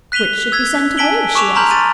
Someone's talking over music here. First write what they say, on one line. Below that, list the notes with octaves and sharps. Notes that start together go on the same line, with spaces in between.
"Which should be sent away?" she asked.
F#6 B6 D#7 F7 G7
E6 G#6 B6
G#5 A5 B6 D7 F#7 G7
C#6 D6 E7 F7
A5 A#5 C6 F6 G6 F#7
A6 D#7